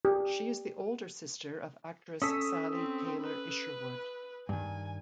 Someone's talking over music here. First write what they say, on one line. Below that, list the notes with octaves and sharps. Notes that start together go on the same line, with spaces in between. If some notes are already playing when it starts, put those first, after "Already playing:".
She is the older sister of actress Sally Taylor-Isherwood.
G4
C#4 A4 D#6 E6 B6
C4
B4
G2 D#3 G#5